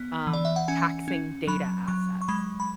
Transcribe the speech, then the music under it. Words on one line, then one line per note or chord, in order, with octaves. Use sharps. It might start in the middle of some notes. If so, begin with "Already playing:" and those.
um, taxing data assets.
Already playing: B3
E3
D5
E5
F#5
C#4 G#5
C#4
F#3 B5
F#3 C#6
C#6
G#3 B5
B5